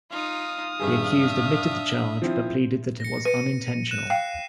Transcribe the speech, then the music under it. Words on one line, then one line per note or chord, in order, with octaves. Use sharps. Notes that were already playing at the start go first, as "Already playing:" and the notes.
The accused admitted the charge, but pleaded that it was unintentional.
D#4 F4 F5 D#6
G#1 G2 D4 G#4 E5
F3 C4 E4
A#6 C#7
B4 C#7 D#7
F#6 D#7 E7
F5 G5 C7